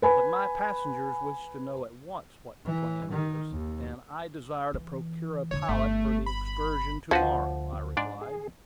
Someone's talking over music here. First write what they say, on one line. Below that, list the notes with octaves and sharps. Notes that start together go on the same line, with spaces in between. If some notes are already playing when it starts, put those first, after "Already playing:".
"But my passengers wish to know at once what the plan is, and I desire to procure a pilot for the excursion to-morrow," I replied.
B4 G#5 B5
E3
D#3
D#2
E3
F1 D3 C#5
G1 A3
B5
D2 F3 C#4 F#4 B4 F5 F#5
G#2 D4 D5
G#4